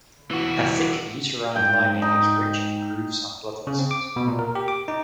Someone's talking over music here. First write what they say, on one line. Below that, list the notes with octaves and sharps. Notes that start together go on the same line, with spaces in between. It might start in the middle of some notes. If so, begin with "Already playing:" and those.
A thick uterine lining is rich in grooves and blood vessels.
E3 F#4
G#2 G5
D#4
C#3
C4
D6
B2
A#2
A#4
G4
D6
D#4